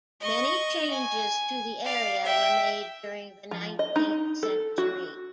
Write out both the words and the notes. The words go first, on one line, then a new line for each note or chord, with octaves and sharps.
Many changes to the area were made during the nineteenth century.
D#5 C#6
G#5
D5 F5
E5 G5
F3
D#5
D#4
A4
F#4